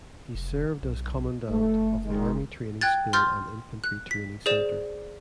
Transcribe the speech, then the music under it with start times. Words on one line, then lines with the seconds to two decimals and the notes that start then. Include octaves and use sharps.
He served as Commandant of the Army Training School and the Infantry Training Centre.
0.35 F1
0.82 B1
1.50 F#1 A3
2.06 D#3 G#3
2.81 G5 F#6 G#6 A6
3.13 C6 F6 G6 A6
3.84 F#6
4.11 B6
4.46 G#4 C5 D5 E7